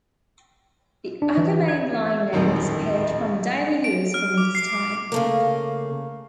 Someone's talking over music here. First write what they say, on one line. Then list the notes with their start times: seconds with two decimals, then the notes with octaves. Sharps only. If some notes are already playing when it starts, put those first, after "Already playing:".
The Akabane Line name disappeared from daily use from this time.
1.22 D4
1.37 E3
1.68 G#6
2.32 D#1 A1 F2 D#3
3.84 D7
4.14 F6
4.37 D6
4.55 C7
4.74 D6
5.12 C#3 A3 A#3